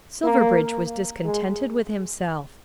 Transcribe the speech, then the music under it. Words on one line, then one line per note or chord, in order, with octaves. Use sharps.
Silverbridge was discontented with himself.
A#3
G#3